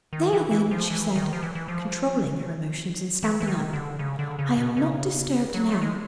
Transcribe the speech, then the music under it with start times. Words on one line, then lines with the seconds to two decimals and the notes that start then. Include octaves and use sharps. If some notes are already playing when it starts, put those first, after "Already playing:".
"There then," she said, controlling her emotion, and standing up; "I am not disturbed now."
0.13 D#3
0.33 E3
0.51 E3
0.71 F3
0.90 E3
1.16 D#3
1.33 F3
1.43 E3
1.55 E3
1.68 F3
3.23 E3
3.40 E3
3.47 D#3
3.73 D3
3.99 C#3
4.19 D3
4.39 C#3
4.58 B2
4.77 C#3
5.54 F#3
5.71 A3
5.82 G#3